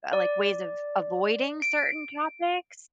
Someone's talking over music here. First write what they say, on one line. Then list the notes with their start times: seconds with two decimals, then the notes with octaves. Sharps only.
uh, like, ways of avoiding certain topics?
0.13 D5
1.62 D7